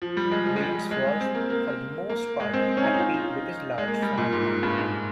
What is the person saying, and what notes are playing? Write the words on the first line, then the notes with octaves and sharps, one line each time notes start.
Bates was, for the most part, happy with his large family.
F3
G3
G#3
F3
G#3
G3
G#3
C4
A#3
A#3
A#3
G#3
C4
C#4
D#4
D#4
F4
D#4
G#3
A#3
G3
A#2
G#2
G#2
G2
G#2